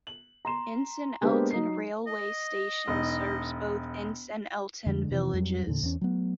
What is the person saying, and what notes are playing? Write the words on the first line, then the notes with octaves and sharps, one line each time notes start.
Ince and Elton railway station serves both Ince and Elton villages.
F#7
A#5 C6 E7
G#3 A#3 B3 D4 G4 C5
F#3 D#4 C7
D#5
E1 D#4
F2 D3 G#3
F1 C3 E3 F3
F2 F#3 G3
E2 A#2 D3
E2 C#4
F#3 A3 B3